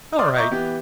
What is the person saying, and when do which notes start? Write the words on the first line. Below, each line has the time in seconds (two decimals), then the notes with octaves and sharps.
"All right."
0.19 D5 C6 D6 D#6 F6
0.36 D#5 E5 A#5 C#6 D6 G6
0.51 E3 B3 G4